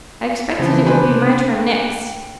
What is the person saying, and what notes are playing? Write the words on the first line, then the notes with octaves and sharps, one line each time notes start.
I expected it would be my turn next.
C#3 E3 F3 A5
D4 B4 C5 G#5
C3 A3
G5